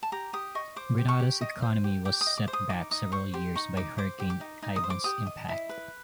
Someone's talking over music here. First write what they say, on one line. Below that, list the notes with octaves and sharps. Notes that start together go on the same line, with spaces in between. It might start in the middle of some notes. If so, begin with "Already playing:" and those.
Grenada's economy was set back several years by Hurricane Ivan's impact.
A5
G4 A#5
G4 D#6
D#5 C#6
C5 D6
G4
C#6
G4
D#5
C5
G4
G4 D6
D#6
D#5
D6
C5
D#6
D#4 D6
D#4 D#6
C5 C#6
G4 C6
D#4 C#6
D#4 D6
C5 D6
G4
D6
D#4
D#4
D#6
C5
D6
G4 D#6
D#5
E4
B4